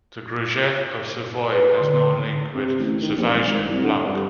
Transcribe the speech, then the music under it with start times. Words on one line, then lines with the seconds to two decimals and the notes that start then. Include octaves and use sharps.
The Gringet of Savoie has no link with Savagnin blanc.
1.52 B4
1.76 D3 C6
2.54 C3
2.79 A1
3.02 D#3
3.17 A#1
3.29 G#1
3.45 G#1
3.67 C2
3.84 D3
4.05 G2